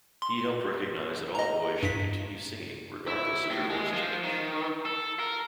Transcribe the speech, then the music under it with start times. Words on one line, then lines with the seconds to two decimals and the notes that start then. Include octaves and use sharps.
He helped recognize that all boys should continue singing regardless of their voice change.
0.22 C6
1.35 D#5 A#5
1.83 G2 B6
3.08 E4
3.50 A2
3.70 G#3
3.94 F3
4.23 D#3
4.85 A4
5.19 A#4